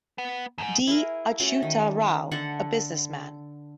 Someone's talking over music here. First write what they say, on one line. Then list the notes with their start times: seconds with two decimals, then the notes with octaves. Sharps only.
D. Achyuta Rao, a businessman.
0.18 B3
0.58 D#2 G#2
0.87 E4 G#4 A#4
1.40 A3 C#4 F#4 C6
1.63 D#3
2.31 D3 A4 F#5 C#6